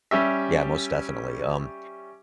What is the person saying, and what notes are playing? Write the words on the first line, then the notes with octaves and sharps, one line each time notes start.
yeah, most definitely, um
G3 C#4 G4 E5